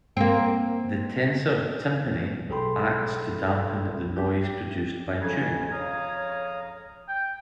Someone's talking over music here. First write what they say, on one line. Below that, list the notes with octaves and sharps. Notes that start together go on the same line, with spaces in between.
The tensor tympani acts to dampen the noise produced by chewing.
A#3 C4
B1 G#4 A4 G5 B5 C6
G4
F2 C#3 G#5 G#6
C#5 F5 A#5 D#6
G5